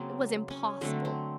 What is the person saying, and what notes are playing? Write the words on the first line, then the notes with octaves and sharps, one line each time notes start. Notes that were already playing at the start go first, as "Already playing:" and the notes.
It was impossible.
Already playing: C#3 F#3 A#3 C4
C#4
D3 F#3 A3 C4
C4